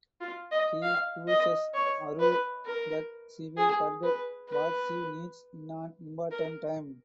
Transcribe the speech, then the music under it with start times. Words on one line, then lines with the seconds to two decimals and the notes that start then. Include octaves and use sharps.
He curses Aru that she will forget what she needs in an important time.
0.21 F4
0.51 D#5
0.82 F5
1.28 D#5
1.74 C#5
2.20 B4
2.65 A#4
3.57 G#4
4.03 B4
4.49 B4
6.32 A#4